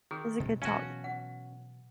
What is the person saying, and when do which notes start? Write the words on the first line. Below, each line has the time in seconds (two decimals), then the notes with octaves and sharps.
It was a good talk.
0.11 D#3 G#4
0.40 B2 G#3
0.62 B2 E3 F#3 C#4 F#4 F5 G#5 A5
1.04 F#5